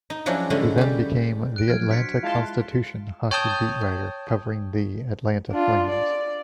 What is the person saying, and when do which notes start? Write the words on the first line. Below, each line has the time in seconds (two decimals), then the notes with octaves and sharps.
He then became "The Atlanta Constitution" hockey beat writer, covering the "Atlanta Flames".
0.10 D#4
0.26 F3 F#3 C#4 D4 E4 G#4
0.50 D3 G3 G#3 C#4 E4
0.78 G3 G4
1.56 F#6 D7
1.68 F3 F#3 F6 G#6
1.89 D4 F#4 C5 F#6 B6 C#7
2.23 G#3 E4 F4 F5 A5 C6
3.31 C#5 G5 A5 D#6 G6
5.51 D4 F4
5.89 D5